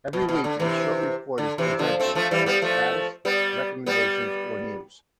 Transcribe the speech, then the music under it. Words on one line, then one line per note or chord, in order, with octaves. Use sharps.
Every week a short report is presented, with status, recommendations or news.
B2
B2
D3
C3 E3
D3
C3 E3
D3 F3
A3 C4
F3 A3
E3 G3
G3 B3
F3 A3
G3 B3
G3 B3